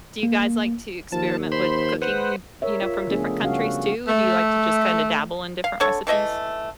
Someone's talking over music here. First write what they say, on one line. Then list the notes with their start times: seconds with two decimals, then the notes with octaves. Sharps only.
do you guys like to experiment with cooking, you know, from different countries, too? Do you like to just kinda dabble in different recipes?
0.23 A#3
1.12 D#2 F3 A5
1.52 C5 B5 C6
2.02 B4 C5 F#5
2.62 A#4 C#5 E5
2.82 F4
3.07 C#3 F3 A3 B3 D4 G#4
3.41 C#3 F#3 G3 C#4 F#4 F5
4.07 A3
5.64 F5
5.80 D3 A4 C#5
6.07 E3 A3 D#5 E5